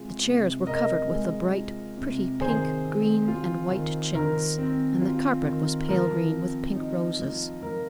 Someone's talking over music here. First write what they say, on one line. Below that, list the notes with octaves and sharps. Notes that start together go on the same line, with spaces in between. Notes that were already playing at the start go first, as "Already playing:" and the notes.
The chairs were covered with a bright, pretty pink, green, and white chintz, and the carpet was pale green with pink roses.
Already playing: C3 G#3 F4
C3
C3 A#4 D#5
G#3
F4
C3
D#3 G#4 C5
C4
F4
D#3
D#3 A#4
C4
F4
D#3
F3 A#4
C4
D#4
F3
F3 A#4